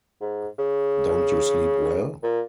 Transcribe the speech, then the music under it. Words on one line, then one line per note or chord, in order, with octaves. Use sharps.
Don't you sleep well?
G#2
C#3
A#2